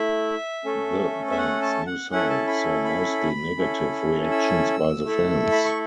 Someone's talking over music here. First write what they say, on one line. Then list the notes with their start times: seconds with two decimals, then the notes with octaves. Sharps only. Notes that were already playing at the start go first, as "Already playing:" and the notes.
The band's new sound saw mostly negative reactions by the fans.
Already playing: A3 E4 E5
0.64 A3 C#4 A4
1.31 E5
1.38 F#5
1.62 A5
1.87 F#5
2.11 C#4 E4 A4 F#5
2.30 A5
2.48 B5
2.85 B5
3.58 C#4 E4 A4
4.32 E6
5.05 A3 E4 A4
5.52 B5
5.65 C#6